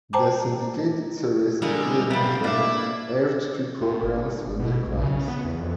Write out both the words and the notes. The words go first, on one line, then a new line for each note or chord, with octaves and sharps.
The syndicated series "A Current Affair" aired two programs on the crimes.
C5 G5 A5 A#5 D6
D3 G3 G#3 A#3 A#4
G#4
B1 C3 G3 B3 F5
A#2 A3 A#3 D4 E4 F5 D6
A2
G1
B2
B1
C#3
B3
E2
F2